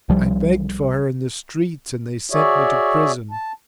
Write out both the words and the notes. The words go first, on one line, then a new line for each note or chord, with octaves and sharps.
I begged for her in the streets: and they sent me to prison.
C2 F3 G3
F#4 G#4 C#5 D5 E5
A5